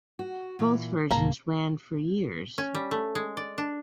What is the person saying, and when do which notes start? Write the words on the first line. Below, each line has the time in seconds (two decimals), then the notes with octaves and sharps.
Both versions ran for years.
0.19 F#4
0.59 A#2 E3
1.11 C2 G#2 A#3 A5 A#5
2.58 C#4
2.75 G3
2.91 A3
3.15 G#3
3.37 D5
3.58 D4